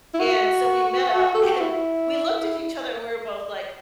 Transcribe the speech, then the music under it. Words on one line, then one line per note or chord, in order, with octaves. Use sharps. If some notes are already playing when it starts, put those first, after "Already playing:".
and so, we met up and we looked at each other and we were both, like,
E4
F#4
A4
G4
F#4
E4